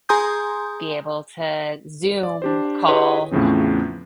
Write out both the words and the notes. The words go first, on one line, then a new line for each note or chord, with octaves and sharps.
be able to Zoom call,
G#4 G#5 A#5 C6 D#6 G6
D5
D4 G4 C5
E4 G4 G#4 B4 C#5 D#5
E2 A2 C#3 F3 C4